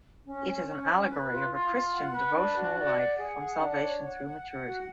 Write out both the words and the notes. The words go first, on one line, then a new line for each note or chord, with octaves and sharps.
It is an allegory of a Christian devotional life from salvation through maturity.
C#4
C#4
C#4
C#4
B4
F4
F4
F4
F#5
B4
D4
F#4
D5
F#5
G#4
F#5
D4
C#5
F#5
F#5
F#5
F#4